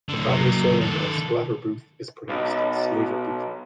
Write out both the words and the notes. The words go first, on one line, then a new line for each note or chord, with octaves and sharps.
The family surname of Sclater-Booth is pronounced "Slater-Booth".
A2 D3
F#3 A#3
D#3 A4
B1